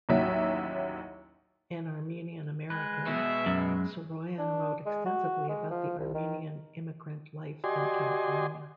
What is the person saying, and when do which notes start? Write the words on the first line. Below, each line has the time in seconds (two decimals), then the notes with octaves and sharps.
An Armenian American, Saroyan wrote extensively about the Armenian immigrant life in California.
0.09 A1 D#2 F#3 E5
2.70 G#3 B4
3.07 B2 E5
3.46 F#2
4.38 D4
4.86 G#3
5.05 F#4
5.49 G#3
5.70 F3
5.99 C2
6.14 D#3
7.64 F#4 G4 D5 D#5 G#5 C6